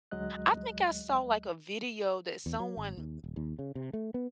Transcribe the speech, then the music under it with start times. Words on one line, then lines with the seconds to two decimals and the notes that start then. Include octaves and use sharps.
I think I saw like, a video that someone
0.11 D2 F#3 G#3 D#5 F#6
2.46 E2
2.60 F#3
2.77 G#1
2.97 D#2
3.24 D#1
3.36 D#2
3.59 C#3
3.75 C3
3.93 A3
4.14 B3